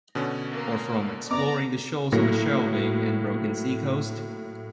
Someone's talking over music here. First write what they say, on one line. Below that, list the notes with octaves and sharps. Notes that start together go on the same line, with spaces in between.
Or from exploring the Shoals of a shelving and broken Sea Coast?
B2 D3 C#4
A#3
B3 D5 A#5 D6
A2 F#3 A#3 A#6